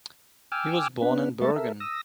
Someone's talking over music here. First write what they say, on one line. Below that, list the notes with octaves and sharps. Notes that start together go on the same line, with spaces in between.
He was born in Bergen.
G5 G#5 D6 E6 F6
B3 D4 B4
G#3 A3 A#4 E5 C#6 A6
A4 A#4 E5
D#6 E6 A#6